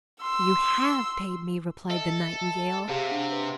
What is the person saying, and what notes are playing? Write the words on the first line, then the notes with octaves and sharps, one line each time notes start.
"You have paid me!" replied the Nightingale.
C6 E6
A4 D#5 E5
C3 G4 G#4 F5
D4 F#5
B4